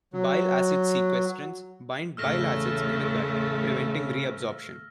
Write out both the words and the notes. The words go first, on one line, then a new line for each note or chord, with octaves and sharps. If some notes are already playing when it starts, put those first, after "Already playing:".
Bile acid sequestrants bind bile acids in the gut, preventing reabsorption.
F#3
E2 A2 C#3 A3 A4 E6 F6 A#6